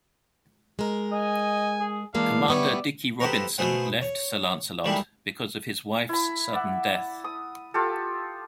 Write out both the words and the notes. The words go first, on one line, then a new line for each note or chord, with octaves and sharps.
Commander Dickie Robinson left "Sir Lancelot" because of his wife's sudden death.
G#3 A#4
D#5 G#5
G#4
E3 G#3 A#3 D4 F5
G3 B3 C#5 D5 E5
B3 G4 A4 C5 F#5 A#5
B2 A3 B3 G#4 C5 F#5
C#5
D3 D#3 G3 G#3 A#3 E4
E4 B5
D5 E5 F#5
D#6
F4 G4 A4